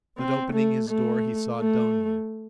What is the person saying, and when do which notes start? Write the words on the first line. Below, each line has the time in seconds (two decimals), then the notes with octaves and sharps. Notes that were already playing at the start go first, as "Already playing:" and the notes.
But opening his door he saw Dounia.
0.18 C4
0.53 A3
0.89 A3
1.59 A3